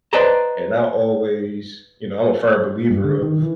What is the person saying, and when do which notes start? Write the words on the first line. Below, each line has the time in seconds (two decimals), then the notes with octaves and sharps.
and I always you know, I'm a firm believer of,
0.13 B4 C5 D5 D#5 A5 A#5
2.91 G2
3.04 D3
3.22 D#3
3.42 E3